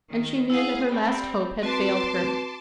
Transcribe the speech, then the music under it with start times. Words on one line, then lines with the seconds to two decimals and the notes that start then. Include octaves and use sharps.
And she knew that her last hope had failed her.
0.11 D#3
0.50 E4 G#4 F5 F#5
0.89 G3 C4 B5
1.63 C4 F#4 B4 A5 C6 D6